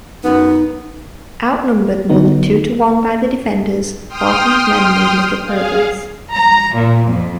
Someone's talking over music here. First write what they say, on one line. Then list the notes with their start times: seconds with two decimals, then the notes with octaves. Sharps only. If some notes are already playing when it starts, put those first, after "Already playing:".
Outnumbered more than two-to-one by the defenders, Barton's men made little progress.
0.23 F#2 B3 D#4
2.09 D3 D#3 F#3 B3 D#4
4.08 G5 C6 D#6 F6
5.45 G#4 F5
6.32 A#5
6.74 A#2
7.08 F2